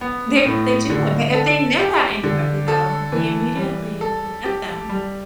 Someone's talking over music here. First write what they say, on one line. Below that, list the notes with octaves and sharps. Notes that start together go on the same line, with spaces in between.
They they do it, but if they nip at anybody, though, they immediately could hit them.
B3
A2
D3
A4
G4
D3
A4
E3
G3
A4
G4
G3